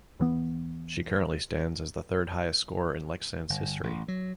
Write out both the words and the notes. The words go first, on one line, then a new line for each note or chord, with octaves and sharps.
She currently stands as the third highest scorer in Leksands history.
D#2 E3 B3
G1
A1
F#3